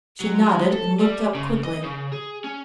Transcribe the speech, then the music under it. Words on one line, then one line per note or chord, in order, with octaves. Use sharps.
She nodded, and looked up quickly.
F#3
G#3
A4
G3
C#3
D#5
C#3
G#4
C#4